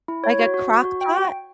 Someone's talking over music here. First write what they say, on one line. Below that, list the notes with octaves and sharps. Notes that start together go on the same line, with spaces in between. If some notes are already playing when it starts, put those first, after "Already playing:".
Like a crock pot?
E4
C#5
F#4
F#4
F#4
F#4
G5